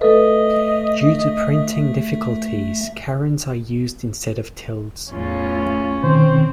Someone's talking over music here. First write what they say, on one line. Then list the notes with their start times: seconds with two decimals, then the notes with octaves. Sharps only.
Due to printing difficulties, carons are used instead of tildes.
0.01 A3 A4 B4 D#5 E5
5.12 E2 A2 C#4 F4
6.03 B2 D#3 C4 C5